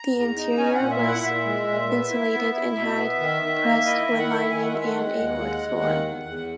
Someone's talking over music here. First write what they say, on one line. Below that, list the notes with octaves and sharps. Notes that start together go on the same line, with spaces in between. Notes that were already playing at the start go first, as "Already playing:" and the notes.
The interior was insulated and had pressed wood lining and a wood floor.
Already playing: A#5
E2
D#4
C#4 G#5
A#2 F#5
E5
E4
F#5
A#2 E5
G#3
A#2
B3
E4
B3
E4
B2
B3
D#3
D#3
A#3
E4 D#5
E5
D#3
F#5
E4
E5
D#3 G#5
F#5
G#3 E5
F#5
G#3
D#2
G#3
D#2
D#3
E2
E2